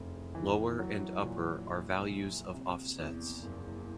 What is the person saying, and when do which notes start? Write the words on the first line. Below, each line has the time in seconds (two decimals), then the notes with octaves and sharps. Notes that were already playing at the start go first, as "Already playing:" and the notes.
"Lower" and "upper" are values of offsets.
Already playing: F1 E2
0.35 E3
0.79 F#3
1.23 A#2
1.67 A#1
2.10 A#1
2.54 C3
2.98 E2
3.43 F#1